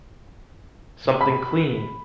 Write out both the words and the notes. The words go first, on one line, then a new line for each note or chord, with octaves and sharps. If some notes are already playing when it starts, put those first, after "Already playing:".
Something clean!
B5